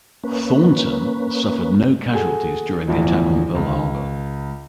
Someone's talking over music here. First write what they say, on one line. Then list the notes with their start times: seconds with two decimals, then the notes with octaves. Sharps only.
"Thornton" suffered no casualties during the attack on Pearl Harbor.
0.24 A#3 C#4 B4
2.12 F#4 G#4 A4 G#5
2.88 G1 E2 A2 E3 F3
3.55 C#2